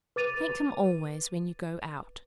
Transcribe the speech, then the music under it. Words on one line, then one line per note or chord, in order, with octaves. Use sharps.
Thank him always when you go out.
B4 D6 A6 D#7 F7